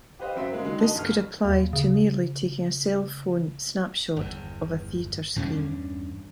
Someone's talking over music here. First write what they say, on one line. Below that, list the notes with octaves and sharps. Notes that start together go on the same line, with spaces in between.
This could apply to merely taking a cell phone snapshot of a theatre screen.
G4 B4 C5 D#5 F5
F#2 F#3 C4 E5 C6
C#3 G#3 A#3
D3 D#3 F#3 G#3
D#5 A5
G1 F#2 C#3 F6
D#2
C#3
G1 E2
E2 G2 C#4 D4